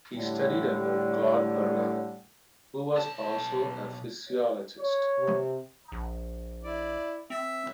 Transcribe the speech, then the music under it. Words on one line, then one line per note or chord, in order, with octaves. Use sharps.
He studied under Claude Bernard, who was also a physiologist.
A2 D3 G3
B1 A5
C#5
C3
A#1
E4 D5
C4 E5